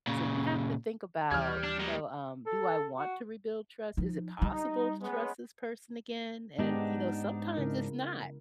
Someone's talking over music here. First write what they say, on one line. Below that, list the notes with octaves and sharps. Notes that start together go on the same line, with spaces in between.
So you have to think about, you know, um, "Do I want to rebuild trust? Is it possible to trust this person again?" And, you know, sometimes it's not.
A#2 C#3
D#2 E3 G3 F6 G#6
D4
A#2 G#3
A4
F#4
F3 D#4
G3 D#4
G#3 B3 C#4
G#2 G#3 B3 D4 D#4 G4
C#3 E4 A#4